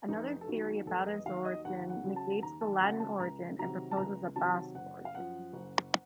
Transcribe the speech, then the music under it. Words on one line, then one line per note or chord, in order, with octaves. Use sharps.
Another theory about is origin negates the Latin origin and proposes a Basque origin.
F1 D#4
A4
D#2 D#3 F#3 F#4
F1 A4
D#5
D#2 D#3 F#3 F5
D#5
D#2 F#5
F#5
C#3 F#3
A5
D#2 A#5
A5
C#3 F#3 F#5
A5
C#2 A#5
C3 D#3 F#3 A#5
A5
C#2 A#5
C3 D#3 F#3 A5
F#1 F#5
F5
F#2 F3 F#5
F#1